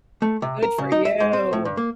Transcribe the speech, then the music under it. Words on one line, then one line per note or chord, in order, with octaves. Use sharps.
Good for you.
A3
C3
A#4
C#3
D#4
E5
G#2
C4
A2
G2
A#3